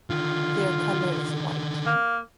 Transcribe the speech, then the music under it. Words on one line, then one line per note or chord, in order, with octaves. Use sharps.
Their color is white.
D3 D#3 F4
A#3